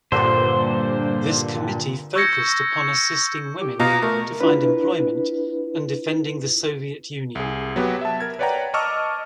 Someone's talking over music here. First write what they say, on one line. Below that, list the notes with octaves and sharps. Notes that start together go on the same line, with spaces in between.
This committee focused upon assisting women to find employment and defending the Soviet Union.
G2 A#2 D3 C5
C#6 E6 G6 G#6 A#6 C#7
G4
B2 F4 A#5
A3 A#4
D4 E4 F4 B4
C2 G#4
F#3 B3 F#4 G4 F#5
E5 A5
A#4 G#6
B4 C#5 D5 F#5 G5 A#5
D#5 A5 C#6 D6 E6 F6